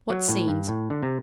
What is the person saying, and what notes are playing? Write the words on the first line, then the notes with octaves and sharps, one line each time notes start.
What scenes!
F#3
A2
G2
A2
D3
C3